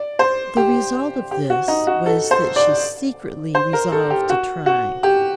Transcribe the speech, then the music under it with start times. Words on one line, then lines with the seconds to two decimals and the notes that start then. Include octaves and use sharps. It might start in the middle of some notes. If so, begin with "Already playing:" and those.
The result of this was that she secretly resolved to try.
Already playing: D5
0.19 C5
0.57 G4
1.31 G4
1.50 F#4
1.68 D#4
1.87 F#4
2.06 A4
2.31 C5
2.56 D5
3.55 C5
3.73 A#4
3.92 A4
4.10 G4
4.30 F#4
4.66 F#4
5.03 G4